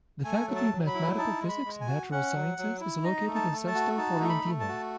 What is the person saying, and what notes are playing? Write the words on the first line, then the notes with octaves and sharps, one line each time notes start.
The Faculty of Mathematical, Physical and Natural Sciences is located in Sesto Fiorentino.
A3 G#5
F#3
A5
F#3
B5
E4
D#4 A5
G#3
B5
G#3
G#5
F#4
C#4 F#5
F#3
F#3
E4
D#4 D#5
A3
A5
A3
A5
F#4
D#4 A5
A3
B5
A3
A5
F#4